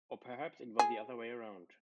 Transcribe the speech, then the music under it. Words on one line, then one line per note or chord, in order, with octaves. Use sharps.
Or perhaps it was the other way around.
G#4